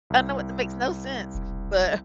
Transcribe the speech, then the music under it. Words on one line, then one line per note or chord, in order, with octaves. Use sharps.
I know it makes no sense, but
C2
E1